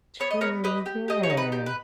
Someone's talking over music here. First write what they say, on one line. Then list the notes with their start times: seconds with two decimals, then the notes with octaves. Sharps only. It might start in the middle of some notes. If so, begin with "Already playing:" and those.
True, yeah.
0.20 B3 C#5
0.31 D#5
0.41 B3 A#4 C#5
0.64 G4 B4 D#5
0.86 G4
1.08 G4 D#5
1.23 C#5
1.30 D#4
1.37 B4
1.52 G4
1.66 B4